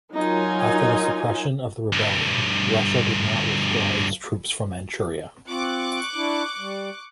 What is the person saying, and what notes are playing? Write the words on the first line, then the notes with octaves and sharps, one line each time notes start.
After the suppression of the rebellion, Russia did not withdraw its troops from Manchuria.
F#3 D#4 F4 A#4 G#5
D2 G2
C4 F4 C#6 D6 F#6
D4 E4
G3